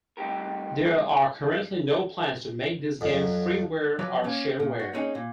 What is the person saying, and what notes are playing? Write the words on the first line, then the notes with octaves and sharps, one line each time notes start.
There are currently no plans to make this game freeware or shareware.
G3 A3 C4 D#4 G4 A#4
F2 F#3
F3 F#3 B4 D5 A#5
A#3 C#4
A#2
F#4
A#3 C4 C#4 D#4 G#4
A#2